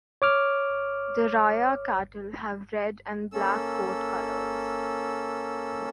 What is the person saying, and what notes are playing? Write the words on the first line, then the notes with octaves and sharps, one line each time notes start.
The Raya cattle have red and black coat colours.
C#5 D6 F6
A#3 C#4 A4 E6